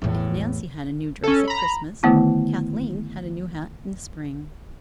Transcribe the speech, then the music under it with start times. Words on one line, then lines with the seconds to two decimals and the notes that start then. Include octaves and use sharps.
If Nancy had a new dress at Christmas, Kathleen had a new hat in the spring.
0.02 E2 A2
1.23 C#4 A4
1.48 A#5 B5
2.03 D3 D#3 A3 B3 E4